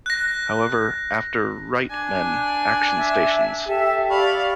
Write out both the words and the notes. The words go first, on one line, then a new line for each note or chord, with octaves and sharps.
However, after Right men, action stations!
F#6 A#6
D4 G#5
E5
G4 A4 E5
D5 F5 B5 C#6